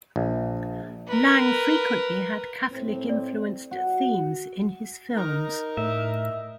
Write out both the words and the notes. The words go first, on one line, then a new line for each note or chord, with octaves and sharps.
Lang frequently had Catholic-influenced themes in his films.
A#1
A#4 B4
A2 C4
D5
F#4
D#4 A#4
A2 E5